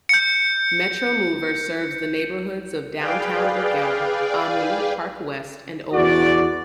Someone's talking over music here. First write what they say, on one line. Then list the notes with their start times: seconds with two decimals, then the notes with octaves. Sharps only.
Metromover serves the neighborhoods of Downtown, Brickell, Omni, Park West, and Overtown.
0.09 G6 C#7
2.96 G#4 B4 D5 F5 G5
5.93 E2 F#4 D5